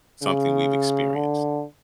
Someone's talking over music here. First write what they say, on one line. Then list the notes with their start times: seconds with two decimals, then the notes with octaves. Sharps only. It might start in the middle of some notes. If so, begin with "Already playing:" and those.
something we've experienced.
0.23 C#3
1.15 D3